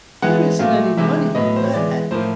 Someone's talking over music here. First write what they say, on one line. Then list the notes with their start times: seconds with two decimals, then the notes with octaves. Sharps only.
"There isn't any money in that."
0.22 E3 G#3 B3 F#5
0.59 A#2 F#3 A3 F5
0.97 C3 E3 G#3 E5
1.35 A2 F#3 B3 D#5
1.56 C5
1.65 C#5
1.72 E3 G#3 B3 D5
2.11 A2 F3 A#3 C5